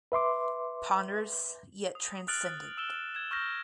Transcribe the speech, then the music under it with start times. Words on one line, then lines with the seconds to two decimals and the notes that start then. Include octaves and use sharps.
Ponderous yet transcendent.
0.12 B4 E5 C6 D6
1.95 D#6
2.28 D#6 F6 F#6 A6 D7 F#7
2.77 E6 E7 G7
3.15 G#6 E7
3.31 C#6 F6 G6 A#6